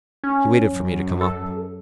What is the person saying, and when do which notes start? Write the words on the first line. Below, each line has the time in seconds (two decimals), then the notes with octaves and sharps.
He waited for me to come up.
0.24 C#4
0.70 F#2
1.21 A4